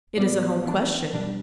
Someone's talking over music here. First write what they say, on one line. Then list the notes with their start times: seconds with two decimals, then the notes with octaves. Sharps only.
'It is a home question.
0.17 A2 G3 B3 D5
0.65 E3 B3 D4
1.13 B2 G3 D4